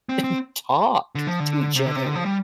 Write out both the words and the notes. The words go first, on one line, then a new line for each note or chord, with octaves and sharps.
and talk to each other.
C4
C4
D3
F3
D3
C3
D3
C3
D3
F3
G3